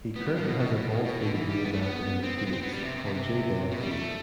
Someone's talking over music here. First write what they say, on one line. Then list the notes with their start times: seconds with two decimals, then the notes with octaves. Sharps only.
He currently has a ballfield named after him in Phoenix, called Jay Bell Field.
0.16 B3
0.26 G3
0.36 F3
0.45 B2
0.60 B2
0.75 B2
0.90 A2
1.05 B2
1.20 D3
1.35 E3
1.49 G3
1.64 B3
1.73 A3
1.83 B3
2.23 C4
2.38 C4
2.47 B3
2.53 C4
2.63 B3
2.73 G3
2.83 C3
2.97 C3
3.05 B2
3.15 C3
3.71 B2
3.81 G3
3.91 A3